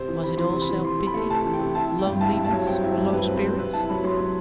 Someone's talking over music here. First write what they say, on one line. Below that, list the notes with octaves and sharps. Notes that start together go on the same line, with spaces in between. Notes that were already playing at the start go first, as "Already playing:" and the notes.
Was it all self-pity, loneliness, or low spirits?
Already playing: C3 C5
E3
C3 B5
E3 C6
C3
B5
E3
E3 C6
C3
B5
A3
C3 A5
E3
G5
C3
E4 A5
E4
G5
G2
E4 A5
G2
A5
F#3
C4 G5
E4
G2
G2 B4
C4
C5
G2
C3 B4
E4 A5
F#3 B5
F#3 C6
F#3